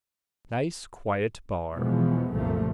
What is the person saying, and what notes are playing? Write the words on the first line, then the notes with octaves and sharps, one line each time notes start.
Nice quiet bar.
E2 B2 E3 F3 G#3 B3
F#1 C2 F#2 A#2 F3 A3